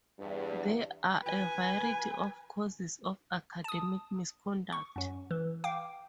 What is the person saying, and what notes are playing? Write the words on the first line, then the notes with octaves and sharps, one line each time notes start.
There are a variety of causes of academic misconduct.
E2 G2
B4 G#5
A5 D#6
C#6
F#2 C#4
E3
F5 G5 D6